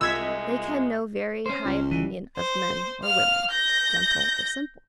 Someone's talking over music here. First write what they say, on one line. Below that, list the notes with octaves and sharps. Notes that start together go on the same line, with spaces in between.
Lake had no very high opinion of men or women, gentle or simple.
C2 G#3 F4 D#5 E6 G#6 B6
C#4 C5
C#2
E3
C5
F5 F6
G6 A#6